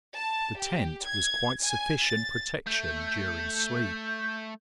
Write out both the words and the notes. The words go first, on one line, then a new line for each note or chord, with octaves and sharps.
The tent was quite sufficient protection during sleep.
A5
G4
G#6
G#5
A6
A3 G6